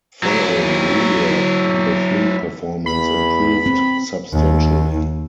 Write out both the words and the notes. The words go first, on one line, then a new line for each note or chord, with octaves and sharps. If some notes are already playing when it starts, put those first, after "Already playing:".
Following rework the fleet performance improved substantially.
F#3 E4
E2 B5
C4
D#2